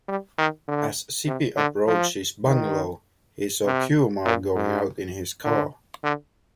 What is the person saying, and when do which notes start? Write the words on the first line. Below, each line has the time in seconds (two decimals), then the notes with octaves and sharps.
As Sippy approached his bungalow, he saw Kumar going out in his car.
0.08 G3
0.38 D#3
0.68 D3
1.27 C3
1.57 D3
1.87 F3
2.46 D#3
3.66 C3
4.25 A#2
4.55 G#2
5.44 D3
6.04 D3